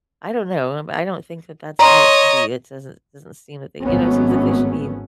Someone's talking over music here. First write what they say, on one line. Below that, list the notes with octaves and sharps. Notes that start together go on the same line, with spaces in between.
I don't know, I'm I don't think that that's how it should be. It doesn't doesn't seem that they you know, seems like they should be
C#5 D#5 A#5 C6
G#1 F#3 A3 B3 C#4